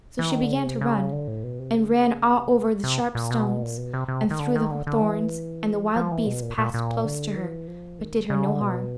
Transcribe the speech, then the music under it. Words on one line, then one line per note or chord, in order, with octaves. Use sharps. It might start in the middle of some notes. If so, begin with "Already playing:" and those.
So she began to run, and ran over the sharp stones, and through the thorns; and the wild beasts passed close to her, but did her no harm.
E3
D#3
D3
C#3
C3
C#3
D3
A2
B2
C3
C#3
D3
C#3
C3
C3
A#2
B2
A#2
B2
C3
C3
D#3
D3
D#3
D3
D3
E3
F3
F3
E3
B2
A#2
A#2
A#2
D3
E3
F3
D#3
C#3
C#3
D3
B2